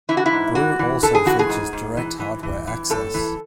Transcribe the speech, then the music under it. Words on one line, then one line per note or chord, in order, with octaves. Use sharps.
Brew also features direct hardware access.
E3 E4
F#4
E4
G#2
E3 F#4
E3
E3 A4
G#4
E3 F#4
G#4
G#2
G#2
E3
E3
E3
E3
A2 A4
E3